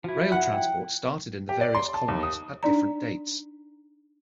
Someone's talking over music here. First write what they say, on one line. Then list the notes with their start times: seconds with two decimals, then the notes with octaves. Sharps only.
Rail transport started in the various colonies at different dates.
0.04 F3 E4 F#4
0.32 F#5
0.53 G5
1.49 G4
1.61 D5
1.75 C6
1.94 A5
2.08 D#2
2.23 D#6
2.63 D4 D#4 D5 A#5